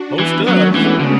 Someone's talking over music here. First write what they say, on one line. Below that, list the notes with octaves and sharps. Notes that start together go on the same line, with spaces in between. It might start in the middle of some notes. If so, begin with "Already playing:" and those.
"Most does."
Already playing: D4 F#4
E3 B3 D4
F#3 A3 C#4
E3 G#3 B3
D3
C#3